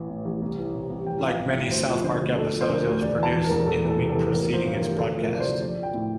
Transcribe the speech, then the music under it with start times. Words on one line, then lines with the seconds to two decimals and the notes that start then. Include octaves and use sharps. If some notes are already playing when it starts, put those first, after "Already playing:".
Like many "South Park" episodes, it was produced in the week preceding its broadcast.
Already playing: A1 E3
0.09 A2
0.25 A1
0.42 C2
0.58 E3
0.74 C3
0.90 C2
1.06 A1 G5
1.22 F3
1.28 F5
1.39 G2
1.50 A1 E5
1.71 D2 C5
1.88 F3
2.04 D3 C5
2.20 D2
2.36 D2 A4
2.53 F3
2.61 C5
2.69 D3 A#4
2.85 D2
3.02 E1 D5
3.18 E3
3.23 A5
3.34 E2
3.44 A#4
3.51 E1
3.66 E2 A4
3.83 E3
3.88 A4
3.99 C3
4.10 A4
4.16 E2
4.31 A1 A#4
4.47 F3
4.54 C5
4.64 G2
4.74 A#4
4.81 A1
4.97 D2 A4
5.13 F3
5.18 A#4
5.28 C3
5.35 D5
5.40 C5
5.45 D2
5.62 A#1 D5
5.77 F3
5.83 G5
5.94 A2